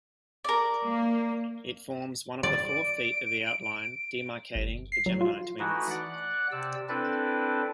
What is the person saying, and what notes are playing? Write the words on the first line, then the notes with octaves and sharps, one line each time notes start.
It forms one of the four feet of the outline demarcating the Gemini twins.
A#4 D5
A#3
D5
D7
G1
C7
F#3
F4
E3 A3 D#4 E4 F#4
D5 F#5 F#6
C3 D5 E6
C4 D4 E4 A4 B4 D5